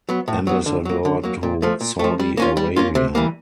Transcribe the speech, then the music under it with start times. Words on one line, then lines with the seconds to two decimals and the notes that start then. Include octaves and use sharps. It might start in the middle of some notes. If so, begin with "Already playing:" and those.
Ambassador to Saudi Arabia.
0.09 F#3 B3
0.28 A2
0.47 F#3 B3
0.66 D3
0.85 F#3 A#3
1.05 D3
1.23 F#3 A#3
1.43 A#2
1.62 F3 A3
1.81 A#2
1.99 F3 A3
2.20 G3
2.37 A#3 C#4 F4
2.57 G3
2.76 A#3 C#4 F4
2.95 C3
3.15 E3 G3 A#3